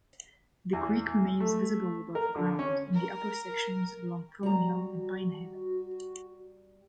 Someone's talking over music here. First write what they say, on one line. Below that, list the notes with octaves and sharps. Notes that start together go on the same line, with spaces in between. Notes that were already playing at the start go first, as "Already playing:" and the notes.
The creek remains visible above ground in the upper sections along Thornhill and Pinehaven.
E2
A3
A#4
D3
C#4
A#4
G3 F#4 A#5